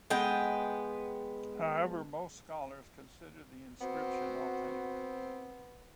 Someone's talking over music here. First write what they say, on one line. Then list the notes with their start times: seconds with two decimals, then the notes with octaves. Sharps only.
However, most scholars consider the inscription authentic.
0.10 G#3 B3 G5
3.81 B3 C4 F#4